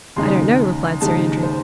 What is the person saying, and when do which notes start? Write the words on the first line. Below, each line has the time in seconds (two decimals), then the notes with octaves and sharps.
"I don't know," replied Sir Andrew.
0.16 D#2 C#3 G#3 D#4 C6
1.01 D#2 C#3 G#3 D#4 A5
1.43 C5